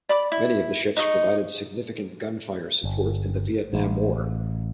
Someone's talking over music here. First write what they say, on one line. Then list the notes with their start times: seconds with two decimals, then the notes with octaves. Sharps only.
Many of the ships provided significant gunfire support in the Vietnam War.
0.09 D5 B5 D6
0.32 E4
0.97 D#4 D#5 E5 C#6
2.84 G1
3.73 A1